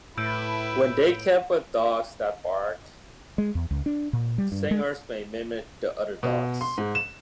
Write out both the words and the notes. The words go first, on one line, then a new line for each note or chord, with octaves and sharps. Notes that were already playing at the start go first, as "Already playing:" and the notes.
When they are kept with dogs that bark, singers may mimic the other dogs.
A2 E4 B4 E6 G6 D7
G#3
E2
C#2
D4
A#2
G3
G2
G#3
B2
C6
G#2
E7